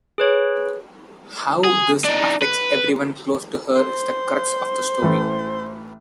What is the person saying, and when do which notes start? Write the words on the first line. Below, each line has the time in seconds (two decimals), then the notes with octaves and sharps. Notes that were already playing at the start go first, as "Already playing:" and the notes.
How this affects everyone close to her is the crux of the story.
0.18 G#4 B4 C#5
1.64 G#4
2.04 D4 D#4
2.42 B4
3.75 C5
5.02 A1 E3 A3